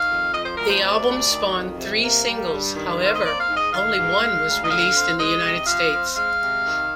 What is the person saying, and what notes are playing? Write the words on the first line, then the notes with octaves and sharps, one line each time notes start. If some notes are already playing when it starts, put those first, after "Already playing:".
The album spawned three singles, however only one was released in the United States.
Already playing: D#3 F5
F2
F3 D#5
C5
D2 A#4
C5
C3 D5
D2
D#3
F2
C3
A#3
G3
G2
D#3
C4
F5
D#5
A#3 D5
F5
G#2
D#5
D#3 F5
G#2
G#3
D2
D#5
D3 F5
C4
G#3 D#5
C3
F3 F5
C4
G#3 F5
C3
D#3